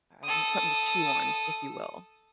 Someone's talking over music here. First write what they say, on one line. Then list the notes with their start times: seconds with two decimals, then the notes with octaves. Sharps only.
um, something to chew on, if you will.
0.24 A4 D#6